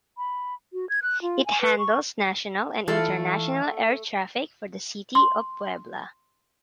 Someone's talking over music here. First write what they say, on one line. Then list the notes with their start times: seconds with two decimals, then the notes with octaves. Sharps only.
It handles national and international air traffic for the city of Puebla.
0.18 B5
0.73 F#4
0.89 G#6
1.03 F#6
1.22 F4
1.46 G#5
1.61 B4
1.79 C#6
2.88 E3 A3 E4 F4 A4 D5 F5
5.15 C6